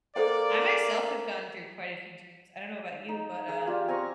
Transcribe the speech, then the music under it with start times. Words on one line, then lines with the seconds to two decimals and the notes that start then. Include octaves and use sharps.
I myself have gone through quite a few dreams, I don't know about you, but, uh,
0.16 A#3 A4 C5 D5 G5
3.09 D#4
3.48 G#4 A#4 F5
3.67 F4 G4 D5
3.88 C4 G#5 A#5 C#6